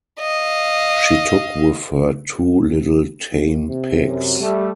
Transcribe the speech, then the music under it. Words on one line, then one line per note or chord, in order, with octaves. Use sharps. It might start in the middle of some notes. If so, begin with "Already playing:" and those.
She took with her two little tame pigs.
D#5 F5
D#2
C3
F#2
G3 A3